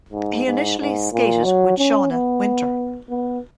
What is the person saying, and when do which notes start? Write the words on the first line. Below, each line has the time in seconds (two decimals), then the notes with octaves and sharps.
He initially skated with Shawna Winter.
0.12 G#2
0.46 G#2
0.79 G#2
1.12 A#2
1.44 F#3
1.78 C#4
2.10 B3
3.09 B3